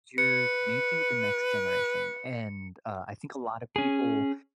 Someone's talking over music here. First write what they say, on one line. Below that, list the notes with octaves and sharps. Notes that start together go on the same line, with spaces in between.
you're making the next generation, and, uh, I think a lotta people,
B4 C#7
C#4 G#4